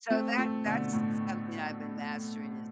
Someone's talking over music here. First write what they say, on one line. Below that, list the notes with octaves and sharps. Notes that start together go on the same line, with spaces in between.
So, that that's s something I've been mastering is
A3 C4
A3 C4
B2 D3
A2